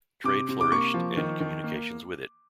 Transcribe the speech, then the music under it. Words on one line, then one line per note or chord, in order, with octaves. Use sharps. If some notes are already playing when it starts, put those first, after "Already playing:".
Trade flourished, and communications with it.
C3 D6
C3
D6
A#3 C#6
F3
D#3
D#3
A#3